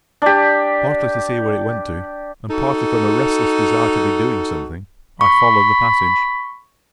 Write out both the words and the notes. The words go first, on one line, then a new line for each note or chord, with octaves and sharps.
Partly to see where it went to, and partly from a restless desire to be doing something, I followed the passage.
D4 G4
D#4 F#4 A4
B5 C#6